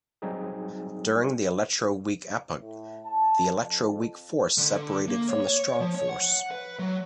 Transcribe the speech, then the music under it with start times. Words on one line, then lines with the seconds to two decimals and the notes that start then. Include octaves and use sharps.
During the electroweak epoch, the electroweak force separated from the strong force.
0.22 F#3 G3 C4 D#4 G#4
2.59 A2
3.05 A5
3.61 F2
4.58 D3
5.08 A#3
5.28 C#5
5.80 F3
5.95 C#5
6.09 F#5
6.51 B4
6.79 F#3